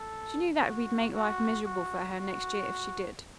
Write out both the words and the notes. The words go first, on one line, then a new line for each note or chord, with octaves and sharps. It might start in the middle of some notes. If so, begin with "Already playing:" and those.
She knew that we'd make life miserable for her next year if she did.
Already playing: A4
F#4
F#4
F#4
F#4